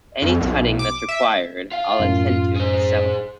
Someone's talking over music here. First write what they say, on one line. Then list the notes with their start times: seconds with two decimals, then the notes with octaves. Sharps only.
Any tutting that's required, I'll attend to myself.
0.22 F2
0.40 B1
0.79 D6
1.09 E5
1.71 F4 F5
2.00 F#2 A2
2.56 G#4 C5